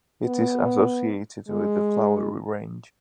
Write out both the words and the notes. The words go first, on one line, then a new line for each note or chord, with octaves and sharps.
It is associated with the Flowery Range.
B3
G#3